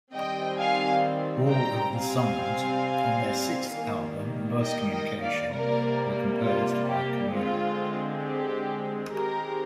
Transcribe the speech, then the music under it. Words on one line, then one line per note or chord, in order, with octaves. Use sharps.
All of the songs on their sixth album "Buzz Communication" were composed by Komuro.
D#3 G3 C4 D#5 G5
F5 G#5
G5 A#5
C3 G3 C4 F5 G#5
D#3 G3 A#3
D#5 G5
D#5 G5
D5 F5
C3 G3 A#3 A#4 D5
F4
G4
D3 G#3 C4 F4
G4
D#3 G#3 C4 G4 A#4